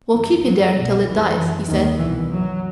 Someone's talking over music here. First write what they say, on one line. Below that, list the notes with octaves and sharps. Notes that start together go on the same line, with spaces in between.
"We'll keep it there till it dies," he said.
F#2 E3
F#2 F#3
C2 B2
F#2 E3
F#2 E3
D#2 D#3
C2 B2 E3
F#2 F#3